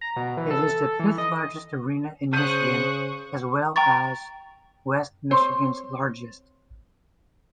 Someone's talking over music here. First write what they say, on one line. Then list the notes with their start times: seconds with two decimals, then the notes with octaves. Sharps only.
It is the fifth-largest arena in Michigan, as well as West Michigan's largest.
0.01 A#5
0.16 B2
0.37 E3
0.51 A4
1.00 E3
1.18 D#5
2.33 C#3 C5 C#6 D#6 F#6 G6 D#7
3.76 G5 A#5 C#6 A6
5.31 C4 C5 C#5